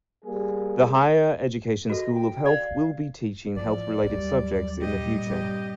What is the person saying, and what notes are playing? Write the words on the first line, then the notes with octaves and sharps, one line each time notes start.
The Higher Education School of Health will be teaching health-related subjects in the future.
G3 A#3 G#4
F#4 A4 D#5
G5
D5 F5
A2 E3 F3 D5
D#2 F#3 G3
G2 A#2 G3 G4 D#5
C4 G4